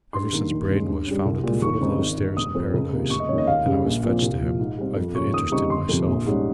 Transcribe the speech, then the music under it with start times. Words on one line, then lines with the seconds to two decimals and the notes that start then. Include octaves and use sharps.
Ever since Braden was found at the foot of those stairs in Paradise, and I was fetched to him, I've interested myself.
0.13 G2 C6
0.33 D#3 A#3 D#4
0.51 D#2
0.70 C#3 G#3
0.87 G2
1.06 G3 C#4
1.26 C2
1.44 A#2 G#3
1.62 D#2 C#6
1.80 C#3 G#3 C4 D#4
1.99 G#1
2.18 G2 D#3
2.37 F1 D#6
2.55 F2 C3 F3 C4
2.74 C#2
2.92 C3 D#3 A#3
3.10 F1 C#6
3.20 D#5
3.29 D#2 C#3 C#5
3.38 D#5
3.47 D#2 F5
3.66 C#3 G3
3.85 A#1
4.04 A#2 F3 C4
4.22 C2
4.41 A#2 F3
4.60 G#2
4.78 G3 C4
4.96 F2
5.14 C3 F3 A#3 C#4 C#6
5.33 D#2 D#6
5.52 C#3 G3 C4 D#4 C#6
5.70 G1 C6
5.89 F2 C3 F3
6.07 A#1
6.26 G#2 G3 C#4